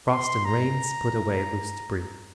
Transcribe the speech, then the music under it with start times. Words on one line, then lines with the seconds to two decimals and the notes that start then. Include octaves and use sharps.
Frost and rain split away loose debris.
0.11 C6
0.45 A#5